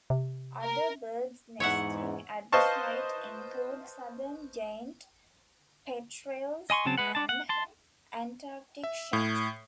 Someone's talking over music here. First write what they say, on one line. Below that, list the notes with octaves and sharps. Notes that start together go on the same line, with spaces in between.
Other birds nesting at the site include southern giant petrels and Antarctic shags.
C3
A#4
E2 G#2 C#5 E5 F#5
B4 C5 D#5 F5 A5 C#6
D#5 G#5 C6 C#6
C#3 F#3 C4 A5
G#3 B4 F#5
D4 A5
F#5
A5 C6
E5
A2